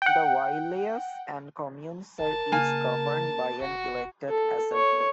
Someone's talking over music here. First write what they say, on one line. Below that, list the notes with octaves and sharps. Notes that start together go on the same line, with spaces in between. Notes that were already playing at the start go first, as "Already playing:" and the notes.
The wilayas and communes are each governed by an elected assembly.
F#5 G5
F1 A#4 A5
C#3 A#3 G#5
F1 F#4
A4
C#5